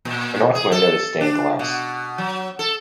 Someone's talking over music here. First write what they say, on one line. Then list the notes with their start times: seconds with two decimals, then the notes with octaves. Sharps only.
The north window is stained glass.
0.05 A#2
0.55 G#4
0.72 A4
1.21 D4
1.59 B2
2.18 F#3
2.59 A4